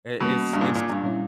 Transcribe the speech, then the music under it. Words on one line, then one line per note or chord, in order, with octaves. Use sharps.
i it's it's
B2 G3 A#3 C#4
G2
A#2
A#2
G2
A#2 G3 C#4 E4